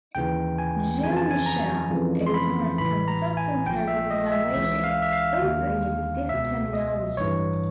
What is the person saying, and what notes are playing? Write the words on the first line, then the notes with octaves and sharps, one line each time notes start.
John Mitchell, author of "Concepts in Programming Languages," also uses this terminology.
D#2 C#3 E3 G5
G#5
F2 C#3 E3 G#5
A5
G#5
A#5
F2 C#3 E3
C6
B5
A1 A2 E3 B5
A#5
G#5
A#1 A#2 G5
E5
D#5
E5
C#2 C#3 E3 E5
F5
E5
F5
D#2 D3
C#2 B2 E5
D#5
A1 G2 E3 C#5